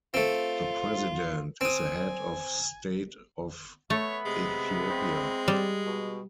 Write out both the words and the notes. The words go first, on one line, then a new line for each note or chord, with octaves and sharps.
The President is the head of state of Ethiopia.
A3 C4 F4
C4 G#5 D#6
A3 B3 C#5 E5 B5
C3 G#3
C4
G3
B2